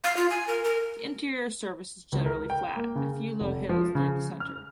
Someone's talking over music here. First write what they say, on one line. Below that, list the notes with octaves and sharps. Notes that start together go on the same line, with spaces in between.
The interior surface is generally flat, a few low hills near the center.
F5
F4
G#5
A#4
A#4
C#2
A#4
G5
A#3
C#3
F1
F3
C#3
F6